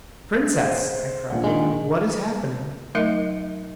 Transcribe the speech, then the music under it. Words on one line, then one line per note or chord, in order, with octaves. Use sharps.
"Princess!" I cried, "what is happening?"
G#4 C5
A#1 A#2 F#5
D#3 G#3
F#3 A3 D#4 A#4 D#5 E5